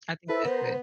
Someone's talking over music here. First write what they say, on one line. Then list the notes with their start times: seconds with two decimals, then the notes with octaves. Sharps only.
I think that's good.
0.29 E4 A4 B4 C5 E5 E6
0.45 B3 A#4 C5